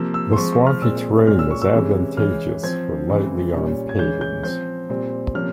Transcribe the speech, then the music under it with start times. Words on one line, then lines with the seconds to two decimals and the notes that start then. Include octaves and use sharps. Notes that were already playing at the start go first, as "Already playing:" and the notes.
The swampy terrain was advantageous for lightly armed pagans.
Already playing: C3 F3 A#3 E6
0.14 E6
0.33 C6
0.36 F3 G#3 C4 C#6
0.53 C#6
0.67 F6
0.82 A#2 G#3 C4 E6
1.27 A#2 G#3 C#4 F6
1.39 E6
1.51 C#6
1.62 E6
1.73 C3 E3 G#3 C#4
2.17 E3 G#3 C#4 F6
2.63 F3 C4 G#6
3.09 C#3 E3 G#3 C4
3.54 A#2 G3 C#4
3.89 G#6
3.99 E3 G#3 C#4 G6
4.21 G6
4.43 F3 C4 G6
4.89 A#2 G3 C4
5.34 C3 F3 A#3 C#4 F6